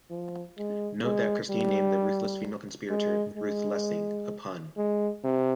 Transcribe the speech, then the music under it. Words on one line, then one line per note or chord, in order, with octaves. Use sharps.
Note that Christie named the ruthless female conspirator "Ruth Lessing", a pun.
F3
G#3
G#3
G3
G#3
G#3
G#3
C3